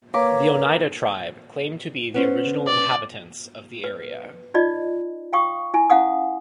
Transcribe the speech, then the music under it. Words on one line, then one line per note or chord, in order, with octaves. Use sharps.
The Oneida tribe claim to be the original inhabitants of the area.
A#3 A#4 B4 C#5 D6
B3 C#4 B4 C5
D5
B4
D#4 F4 D5 D#5
F5 G5 C#6 D#6
E4 G#5
C#4 E4 F5 F#5 D#6